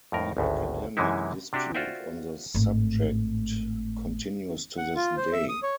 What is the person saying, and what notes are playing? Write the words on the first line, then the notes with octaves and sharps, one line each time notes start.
The academic dispute on the subject continues to this day.
F2 A2 A#4
G#1 D2 A2
F#2 C3 E3 G#3 D#4 E4
C3 D4 F#4 G4
F4 F#4 C5 D5 E5 G5
G#1 A2
F#5
F4
C5
E5
D#6
C#5